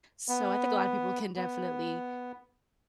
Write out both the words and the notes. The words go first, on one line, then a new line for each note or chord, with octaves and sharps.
So I think a lotta people can definitely
B3
B3